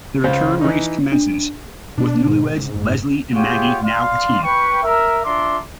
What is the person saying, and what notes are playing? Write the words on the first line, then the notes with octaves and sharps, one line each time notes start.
The return race commences, with newlyweds Leslie and Maggie now a team.
C#2 C5 F5
E3 D#4
D4
B2 D4
G#2
F#1
F4 G4 G#4 C#5 F#5 G5
D5 F5 C6
B4 G5 C#6
A#4 E5
D4 F4 E5 A#5 C6 D6